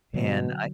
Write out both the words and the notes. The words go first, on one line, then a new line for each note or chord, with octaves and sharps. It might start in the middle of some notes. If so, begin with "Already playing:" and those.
And I
B2 D3 F#3